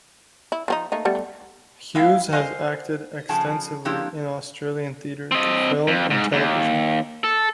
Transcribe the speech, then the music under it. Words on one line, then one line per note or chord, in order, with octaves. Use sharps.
Hughes has acted extensively in Australian theatre, film and television.
E4
F3 C4 D#4
A3 A#3 D#4
G3 A3 B3
G#3 A#3 E4 E5 F5 G5
A#4 C5 D#5 F5 G#5
C#3 F3 G#4 G5 A5
F3 A#3 C4 D4 E4 G4
C4 D#5
F2
G#2
D#2
A4